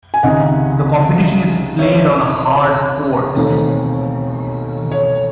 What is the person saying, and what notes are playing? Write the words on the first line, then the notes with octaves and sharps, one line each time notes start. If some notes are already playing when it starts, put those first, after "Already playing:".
The competition is played on hard courts.
G#5
C#2 C3 D#3 D#5 F#5
C#5 E5
E1 D#2 D#3 A3 C4
C#5